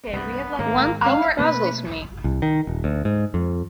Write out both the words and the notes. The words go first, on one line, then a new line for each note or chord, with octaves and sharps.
One thing puzzles me.
C2 G2 B3
G#2 D#3 G#3 A#3
F5
B2 A3 A#3 B4
C2
D#3
D#1
D2
G#2
F2